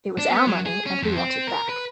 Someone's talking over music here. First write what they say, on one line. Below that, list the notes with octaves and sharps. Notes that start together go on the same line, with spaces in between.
It was our money and we want it back.
D4
B3
F#3
G#4
C#4
F2
C4
A#4
B4